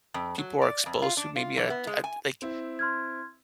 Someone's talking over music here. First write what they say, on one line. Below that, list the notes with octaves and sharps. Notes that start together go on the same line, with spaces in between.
people are exposed to maybe at at, like
F2
F#3
D5
F2
F4
D4
F4
E3
B3
G#3
G#5
C4 E4
C6 F6 G#6